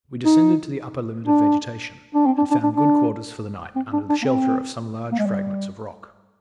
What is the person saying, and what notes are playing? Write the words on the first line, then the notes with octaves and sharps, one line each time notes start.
We descended to the upper limit of vegetation, and found good quarters for the night under the shelter of some large fragments of rock.
D#4
D4
D4
C4
D4
D4
D4
D4
C4
D4
D4
A#3
C4
A#3
G#3
G3